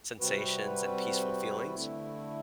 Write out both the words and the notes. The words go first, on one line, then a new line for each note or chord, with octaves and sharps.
sensations and peaceful feelings.
C3 G3 C4 F#4 B4
D3 A3 E4